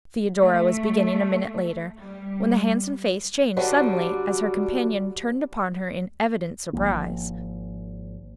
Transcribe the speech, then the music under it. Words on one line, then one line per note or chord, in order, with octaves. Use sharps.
Theodora was beginning a minute later, when the handsome face changed suddenly as her companion turned upon her in evident surprise.
A3
G3
D3 F#3 G3 D4
G#1 F2 F3 A#3